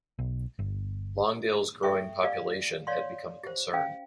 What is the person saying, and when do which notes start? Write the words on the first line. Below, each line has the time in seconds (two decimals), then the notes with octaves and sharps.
Longdale's growing population had become a concern.
0.19 B1
0.59 G1
1.83 A4 E5 G5 C#6
2.23 G4 D5 F5
2.87 C#5 D5 F5 C6
3.44 G4 C5
3.73 C#4 F5 G5